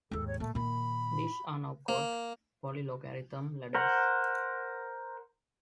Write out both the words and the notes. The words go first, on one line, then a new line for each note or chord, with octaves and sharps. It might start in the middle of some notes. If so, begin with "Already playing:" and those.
These are now called polylogarithm ladders.
D#2 G#2 A4
C#5
A#2 A3
A#2 D#3 B5
A#3
A#4 C5 F#5